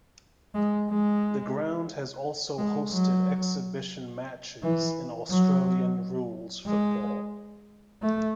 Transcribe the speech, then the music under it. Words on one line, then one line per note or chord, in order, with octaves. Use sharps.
The ground has also hosted exhibition matches in Australian rules football.
G#3
G#3
G#3
F#3
E3
F#3
G#3
A3